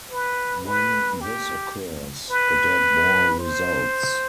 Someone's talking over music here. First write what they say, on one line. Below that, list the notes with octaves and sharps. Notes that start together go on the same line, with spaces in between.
When this occurs, a dead ball results.
B4
B4
G4
B4
C5